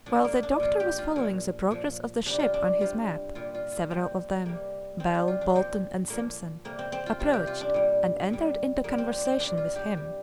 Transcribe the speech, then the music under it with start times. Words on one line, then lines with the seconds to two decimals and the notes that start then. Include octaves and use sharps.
While the doctor was following the progress of the ship on his map, several of them, Bell, Bolton, and Simpson, approached and entered into conversation with him.
0.06 A#2 F3 D4
0.25 A#3
0.43 D4
0.60 A#2 F3 F4
0.80 G4
0.98 F4
1.16 A#2 F3
1.71 A#2 F3
2.26 C3 G3 D4
2.39 F4
2.54 D4
2.80 C3 G3 F4
3.35 A#2 G3 F4
3.55 F4
3.72 F4
3.90 A#2 G3 C4
4.45 C3 G3 A#3
5.00 C3 G3 C4
5.14 D4
5.28 F4
5.41 D4
5.55 A#2 F3 C4
6.10 A#2 F3 A#3
6.65 C3 G3 A#3
6.79 C4
6.92 C4
7.06 F4
7.19 C3 G3 F4
7.33 G4
7.47 F4
7.61 D4
7.74 A#2 G3
8.30 A#2 G3
8.84 A#2 G3 A#3
8.98 C4
9.12 D4
9.25 C4
9.39 A#2 G3 D4
9.57 F4
9.76 G4
9.94 C3 G3